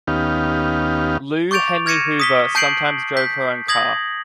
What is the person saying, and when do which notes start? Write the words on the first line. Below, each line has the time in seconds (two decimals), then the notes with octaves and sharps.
Lou Henry Hoover sometimes drove her own car.
0.07 D#2 B3 C#4 D#4 G4 F5
1.51 C#6 D6 G6 A6 D7 F7
1.86 F6 G#6 A#6 C#7 D#7 E7
2.20 D#6 B6 G7
2.55 A5 G6 C7 D7 F#7
3.17 G6 B6
3.68 D#6 G#6 A#6 F#7